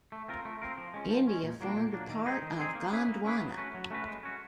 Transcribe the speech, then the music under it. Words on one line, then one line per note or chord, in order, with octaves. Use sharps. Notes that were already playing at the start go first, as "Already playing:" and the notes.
India formed a part of Gondwana.
A3
C4 F4 A#4
A3
C4 F4 A#4
F3
G#3 C#4
F3
G#3 C#4
A#2
F#3 A#3 D4
A#2
F#3 A#3 D4
D#3
G#3 C4 D#4 G#4
D#3
G#3 C4 D#4 G#4
A#3
C#4 E4 G#4 B4
A#3
C#4 E4 G#4 B4
F#3
A3 C#4 F#4 B4
F#3
A3 C#4 F#4 B4
G#3
C#4 F#4